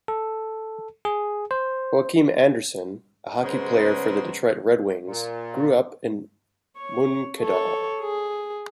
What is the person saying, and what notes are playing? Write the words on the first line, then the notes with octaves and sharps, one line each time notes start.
Joakim Andersson, a hockey player for the Detroit Redwings, grew up in Munkedal.
A4
G#4
C5
C#3 F#3 G#3 B3 C5
A#2
C#5
A4 C#5
G#4